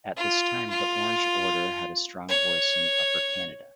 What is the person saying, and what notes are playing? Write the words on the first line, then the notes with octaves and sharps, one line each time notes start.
At this time, the Orange Order had a strong voice in Upper Canada.
F4
F4
C#5